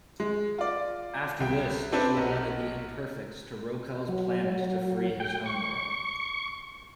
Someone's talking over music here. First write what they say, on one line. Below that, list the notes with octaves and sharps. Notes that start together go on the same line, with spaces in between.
After this she led the Imperfects to Roekel's Planet to free his homeworld.
G#3
F4 D5
C2 G5
C4 D4 G4 A4 B4 D5
B1 F#3
F#3
G5
C#6